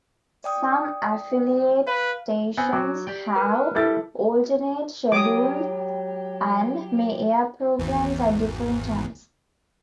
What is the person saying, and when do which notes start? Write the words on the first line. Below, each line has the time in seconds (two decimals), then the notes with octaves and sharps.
Some affiliate stations have alternate schedules and may air programs at different times.
0.44 D5 G5 D#6
1.87 B4 F5
2.57 B3 C4 F#5 G#5
2.73 F#3 F#4 D6
3.07 G4 D5 G5
3.36 A#4 B4
3.75 G3 E4 G4 A4 A6
5.12 F#3 G4 D6 D#6
7.79 G#1 E2